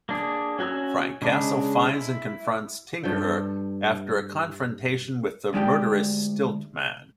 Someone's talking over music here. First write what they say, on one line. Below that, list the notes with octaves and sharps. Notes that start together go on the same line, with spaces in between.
Frank Castle finds and confronts Tinkerer after a confrontation with the murderous Stilt-Man.
A#3 D4 G#4
C#4 F#4 G#5 A#5 E6
C#3 G#3 D4
E4
G2 A4 G5
D2 G#3 D4 G4 G5